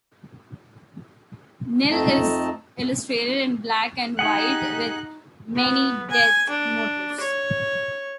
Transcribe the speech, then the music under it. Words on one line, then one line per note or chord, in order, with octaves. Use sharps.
"Nil" is illustrated in black and white with many death motifs.
F2 A3 C4 D#4 D#5 A5
D#4 G4 G#4 F#5 F#6
B3
G#5
D4
C#5